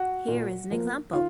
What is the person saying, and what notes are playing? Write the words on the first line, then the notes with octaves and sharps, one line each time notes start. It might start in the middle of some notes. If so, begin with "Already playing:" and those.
Here is an example.
Already playing: F#4 F#5
A#2
F3 A#3
D#3 F4 F5